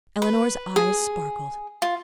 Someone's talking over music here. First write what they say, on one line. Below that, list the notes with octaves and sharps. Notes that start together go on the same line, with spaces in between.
Eleanor's eyes sparkled.
B4
G#4
F4